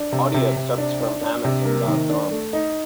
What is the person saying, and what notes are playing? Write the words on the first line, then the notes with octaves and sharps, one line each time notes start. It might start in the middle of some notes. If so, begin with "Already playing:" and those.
Audio excerpts from Amazon dot com.
Already playing: D4
C3
C3
C3
D4
D4
D4
C3
A#3
D#3
D4
A3
D#4